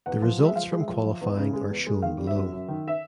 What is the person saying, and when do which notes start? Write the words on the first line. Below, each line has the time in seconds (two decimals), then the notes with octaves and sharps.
The results from qualifying are shown below.
0.06 E2 F#5
0.22 F3
0.39 G#3
0.46 E5
0.55 F3 F5
0.71 G#3
0.80 E5
0.88 F3
1.04 F3
1.21 E2
1.37 C#3
1.53 G#3
1.70 E2
1.87 G#3
2.02 D#3 F5
2.19 G3
2.27 E5
2.36 F#2
2.52 F#2
2.68 D#3
2.88 E5